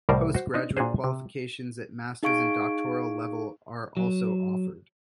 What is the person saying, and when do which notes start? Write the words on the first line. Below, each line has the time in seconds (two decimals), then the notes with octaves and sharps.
Post-graduate qualifications at masters and doctoral level are also offered.
0.09 C2 A2 G3 A#4 C5
0.35 F#4 C5
0.54 C4 D4 D#4
0.77 A#2 D4 F#4 G#4 C5
1.04 C3
2.23 D#4 G#4 F5 C#6 G#6 D7
3.97 F#3